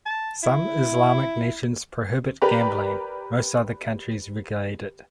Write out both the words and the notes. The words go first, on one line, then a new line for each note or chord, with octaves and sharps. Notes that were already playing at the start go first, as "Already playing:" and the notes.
Some Islamic nations prohibit gambling; most other countries regulate it.
A5
E4
G4 A#4 B4 D5 A#5